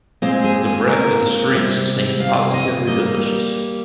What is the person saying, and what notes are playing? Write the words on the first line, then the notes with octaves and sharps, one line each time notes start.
The breath of the streets seemed positively delicious.
A#2 G#3 C4 C5
G#4
G#4
A#4
C3 G3 C4
F5
D#5
G3 A#3 D#5